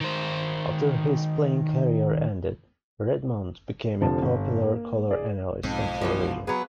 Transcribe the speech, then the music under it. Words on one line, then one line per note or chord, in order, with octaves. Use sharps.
After his playing career ended, Redmond became a popular color analyst on television.
D#3 C5
F1 D3 F3 A5
G1
A#3
G#4 D5
B1 F2 G#2
B2 E3 F3
F#3 B3 G#4 B4